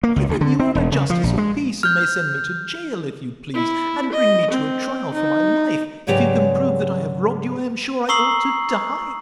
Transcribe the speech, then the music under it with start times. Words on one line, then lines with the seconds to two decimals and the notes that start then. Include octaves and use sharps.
Why then you are a justice of peace, and may send me to gaol, if you please, and bring me to a trial for my life! If you can prove that I have robbed you, I am sure I ought to die.
0.03 A#3
0.16 C#2
0.29 D2
0.41 D3
0.60 C4
0.75 E1
0.92 C#3
1.10 F3
1.23 A#1
1.38 G#3
1.83 F6 G6
3.54 E4
4.12 D#5
4.51 C4
5.14 D#4
6.07 G#2 C#3 F#3 G4 B4 D5
8.09 A#5 C#6 D#6 E6 C7 F#7